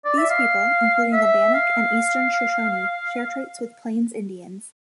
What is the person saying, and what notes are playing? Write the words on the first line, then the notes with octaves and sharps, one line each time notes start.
These people, including the Bannock and Eastern Shoshone share traits with Plains Indians.
D5
E5
F5
E5
F5